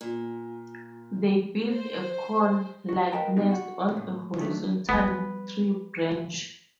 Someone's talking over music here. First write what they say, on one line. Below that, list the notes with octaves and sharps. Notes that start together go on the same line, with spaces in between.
They build a cone-like nest on a horizontal tree branch.
A#2
C5
F#4
A#4 B4 D#5 G5 A5 A#5
G#2 B2 G3 G#3 D#4
F#4
A2
D#3 F#3 A3 D4
F3 G3 B3 B4